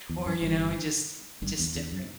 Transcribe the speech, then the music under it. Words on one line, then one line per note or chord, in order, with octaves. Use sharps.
or, you know, just i just different
E2
F#2
G1 G2
G1 G2
E2
E2
F#2